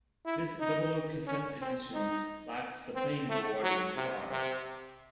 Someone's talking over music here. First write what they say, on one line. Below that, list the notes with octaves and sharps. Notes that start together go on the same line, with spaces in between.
This double cassette edition lacks the playing board and cards.
E4
D#4
C#4
C4
D#4
C4
A3
F#3
C3
C3